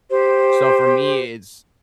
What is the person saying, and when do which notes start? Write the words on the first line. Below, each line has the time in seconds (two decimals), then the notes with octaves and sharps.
So for me, it's
0.09 G4 C5